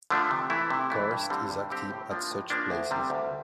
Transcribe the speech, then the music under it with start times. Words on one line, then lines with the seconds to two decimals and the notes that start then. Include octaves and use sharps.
Karst is active at such places.
0.10 D3 F3 A3 D4
0.31 C3
0.50 E3 A3 E4
0.70 C3
0.90 E3 A3 E4
1.11 G2
1.30 D3 G3 C4 G4
1.50 G2
1.70 D3 G3 C4 G4
1.91 A2
2.11 F3 A#3 D4
2.31 A2
2.50 F3 A#3 D4
2.70 D2
2.91 C3 G3
3.10 D2